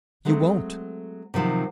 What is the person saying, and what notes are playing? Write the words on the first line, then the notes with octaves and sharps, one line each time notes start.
"You won't!"
F#3 G#3 A3 C4
C3 D#3 F3 F#3